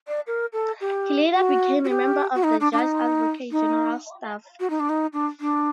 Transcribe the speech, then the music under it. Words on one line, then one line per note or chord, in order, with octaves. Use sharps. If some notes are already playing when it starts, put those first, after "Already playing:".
He later became a member of the Judge Advocate General's staff.
D5
A#4
A4
G4
F#4
F#4
G4
F#4
D#4
D4
D4
D#4
D#4
F#4
D#4
D4
D#4
D4
D4